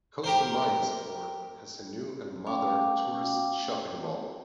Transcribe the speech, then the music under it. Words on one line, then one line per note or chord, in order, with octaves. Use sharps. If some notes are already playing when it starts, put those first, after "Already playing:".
Costa Maya's port has a new and modern tourist shopping mall.
G4 A#4 C5
A3 C#4 F5 G5 D6